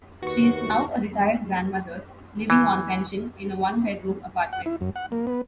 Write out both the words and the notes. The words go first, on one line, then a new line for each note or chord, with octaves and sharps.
She is now a retired grandmother living on pension in a one bedroom apartment.
D#2 F#4 B4 C#6
E3
F#5
E4
F#2
F#5
A#3
B3